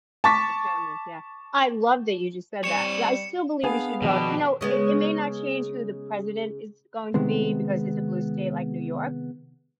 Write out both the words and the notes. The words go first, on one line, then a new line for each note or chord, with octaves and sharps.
Determined, yeah, I love that you just said that, yeah, I still believe we should vote. You know, it it may not change who the president is going to be because it's a blue state like New York,
A5 C#6 D6 A6 B6
G3 C4 C#5 C#7 E7
B3 D4 G#4 F5
B2 D#3 F3 D4 G4
C#3 G#3 B3
C3 D#3 G#3 B3 C4